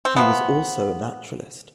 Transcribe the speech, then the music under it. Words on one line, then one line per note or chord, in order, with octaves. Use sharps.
He was also a naturalist.
C4
C3 F3 A#3 B3